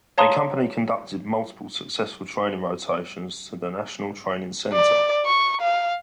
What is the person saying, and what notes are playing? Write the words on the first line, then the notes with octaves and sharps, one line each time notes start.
A Company conducted multiple successful training rotations to the National Training Center.
C#5 F5 A5 A#5 C6 D#6
D5
C#6
F5